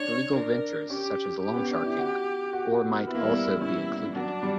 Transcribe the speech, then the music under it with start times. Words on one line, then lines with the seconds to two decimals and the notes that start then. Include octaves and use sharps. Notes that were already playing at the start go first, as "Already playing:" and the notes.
Illegal ventures such as loansharking, or might also be included.
Already playing: D4 C#5
0.36 D4 A#4
0.90 C#4 G4
1.44 G4
1.53 B3
1.57 C#4
1.71 D4
1.85 E4
1.99 F#4
2.53 F#4
2.71 F#4
2.89 A#3
3.06 B3 E4
3.15 A#3
3.23 G3
3.31 A#3
3.61 C#4 E4
4.16 F#3 D4
4.43 G3